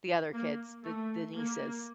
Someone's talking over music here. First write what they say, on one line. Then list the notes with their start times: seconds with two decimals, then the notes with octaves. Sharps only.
the other kids, the the nieces.
0.34 A#3
0.84 A3
1.35 A#3